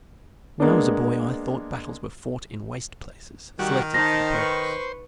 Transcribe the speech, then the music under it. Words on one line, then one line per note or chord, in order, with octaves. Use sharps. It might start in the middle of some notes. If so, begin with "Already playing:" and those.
When I was a boy I thought battles were fought in waste places selected for the purpose.
G#3 A#3 B3 D4
D#3 G3 F#4
D#4 C5 A5 A#6
B4 C#6